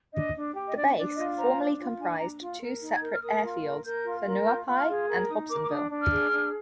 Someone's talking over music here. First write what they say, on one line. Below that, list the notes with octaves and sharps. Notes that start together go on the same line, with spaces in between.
The base formerly comprised two separate airfields, Whenuapai and Hobsonville.
D4 D#5
D4
G4
D#5
D4 D5
D4 D5
F4 D#5
C5 A#5
D4
F4
D4 G#5
G#5
D4 A#5
F4
A#4
D#4
G#6
A#4 G6
F6
A#4 D#6
F4
A#4
A#4 G6
F4
A#4
F4 G6
F4
F6
G#4
A#4
D#4 D#6
A#4 D6
D6
D4 D#6
D4
F6
G#4
D4